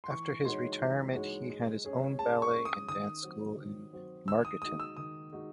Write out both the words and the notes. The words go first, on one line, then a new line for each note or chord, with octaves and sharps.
After his retirement he had his own ballet and dance school in Margareten.
C6
E3 C#6
G#3 D#4 F#4 C#5 C6
E3
G#3 D#4 F#4 C#5
G#3
C#4 G#4 C#5
G#3 A5
C#6
C#4 G#4 C#5
D#6
D#3 D#6
F#3 C4 F#4 C5
D#3
F#3 C4 F#4 C5
D#3 E6
D#6
G#3 D#4 F#4 D#6
E6
D#3 D#6
G#3 D#4 F#4